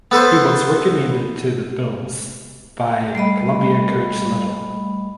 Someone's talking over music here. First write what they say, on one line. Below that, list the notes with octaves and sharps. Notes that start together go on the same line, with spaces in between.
He was recommended to the Bills by Columbia coach Little.
B3 A4 B4 C5
G3 A3 D#5 B5